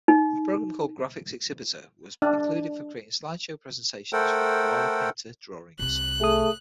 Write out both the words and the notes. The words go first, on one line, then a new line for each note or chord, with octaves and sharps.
A program called "Graphics Exhibitor" was included for creating slideshow presentations from KoalaPainter drawings.
D#4
D4
A3 A4 A#4 C5 F#5 G5
C2 C3 F#6
A3 G#4 D#6